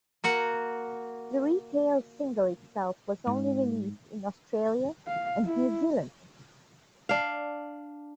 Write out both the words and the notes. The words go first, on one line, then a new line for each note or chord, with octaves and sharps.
The retail single itself was only released in Australia and New Zealand.
A#3 F#4 F#5
G#2
F5
E4
D4 F5